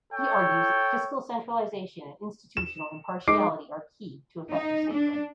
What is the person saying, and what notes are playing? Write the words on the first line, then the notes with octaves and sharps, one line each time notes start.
He argues that fiscal centralization and institutional impartiality are key to effective statehood.
A4 C#5 G5
E7
G#3 D#4 D6 C7 D7
D#4
D4